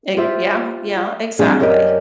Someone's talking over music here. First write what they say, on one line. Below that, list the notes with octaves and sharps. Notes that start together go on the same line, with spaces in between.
E yeah, yeah, exactly.
F4 G4 C5 E5
F3 G3 C4 D4 G#4
F#2 G4 A#4 D5 D#5